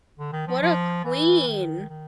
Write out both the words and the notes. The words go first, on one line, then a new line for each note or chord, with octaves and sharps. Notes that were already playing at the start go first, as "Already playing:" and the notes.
What a queen!
D3
D#3
F3
F3
E3
D#3
D#3